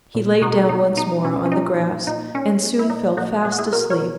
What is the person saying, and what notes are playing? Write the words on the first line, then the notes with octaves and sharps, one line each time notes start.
He lay down once more on the grass and soon fell fast asleep.
A#2
B2 D#4 F#4
B2 D#4
B2 D#4
B2 C#4
C#4
A#2 D#4
A#2
A#2 D#4
A#2 C#4
A#2
E4
A#2 D#4
A#2 D#4 F#4
A#2 G#4
F#4
E4 G#4
B2 F#4 A#4
A#4 C#5
B2